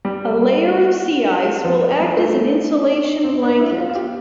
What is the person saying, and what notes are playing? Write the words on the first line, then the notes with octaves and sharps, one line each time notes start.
A layer of sea ice will act as an insulation blanket.
G3
F3
G3
A3
C4
D4
E4
F4
F4
G4